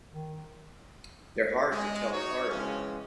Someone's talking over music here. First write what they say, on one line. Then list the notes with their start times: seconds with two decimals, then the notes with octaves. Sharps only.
They're hard to tell apart.
0.13 D#3
1.72 G#3
2.12 F#3 D#4 F#4 C#5
2.50 C#3 E3 F3 G#3 C4 C#4